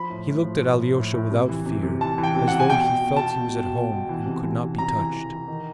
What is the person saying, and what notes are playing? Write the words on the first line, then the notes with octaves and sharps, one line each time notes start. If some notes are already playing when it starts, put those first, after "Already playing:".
He looked at Alyosha without fear, as though he felt he was at home and could not be touched.
Already playing: F3 B5
A2
A2
F3
A2
A2
A2
A2
C3
E3
C3
C3
E3 A5
E3
G5
C3
C3 F#5
G#5
B2 G5
B2
B2
A5
B2
B2
B2
B2
B2
E3
C3
E3
C3
C3 A#5
E3
E3
E3
D#3